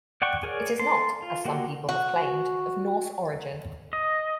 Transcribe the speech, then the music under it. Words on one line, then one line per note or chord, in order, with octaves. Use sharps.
It is not, as some people have claimed, of Norse origin.
D5 F#5 G5 C#6
G#4 A#4 C#5 D5
A4 C6
F4
A#3 F#4 G4
F#4
D#5